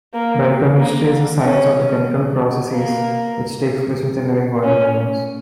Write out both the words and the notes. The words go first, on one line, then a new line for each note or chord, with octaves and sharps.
Biochemistry is the science of the chemical processes which takes place within living organisms.
A#3
A#3
C#4
A#3
C#4